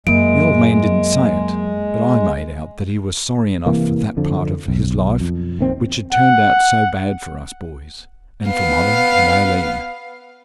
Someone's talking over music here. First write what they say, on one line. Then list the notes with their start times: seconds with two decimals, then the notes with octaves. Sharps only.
The old man didn't say it, but I made out that he was sorry enough for that part of his life which had turned out so bad for us boys, and for mother and Aileen.
0.07 F#2 G#3 A#3 D7
3.66 C3 E3 A#3
4.17 F2 D3 F3
4.68 B1
5.20 F2
5.59 A#1 D#3 C4
6.13 F#5
8.48 B3 F5